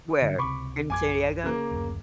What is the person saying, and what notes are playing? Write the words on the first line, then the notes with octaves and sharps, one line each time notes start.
Where? In San Diego?
G2 D3
C#2 C3 B5 C#6 D6
A#1 F#2 G#5 D6 G#6
C#3 A#3
D1 F#2